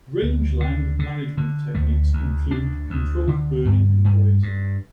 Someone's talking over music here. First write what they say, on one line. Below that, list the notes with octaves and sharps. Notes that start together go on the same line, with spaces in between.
Rangeland management techniques include controlled burning and grazing.
D2
D3
D3
D3
D2 A3
D2
D2 D4
D2
D3
G2
G2
G2